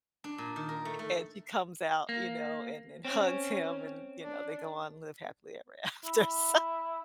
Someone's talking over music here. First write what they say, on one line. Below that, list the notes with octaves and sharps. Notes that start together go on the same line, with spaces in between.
and she comes out, you know, and and hugs him and, you know, they go on live happily ever after, so,
D4
A#2
D#3
A#4
A3
A3
A#3
C4 C#4
D4
E4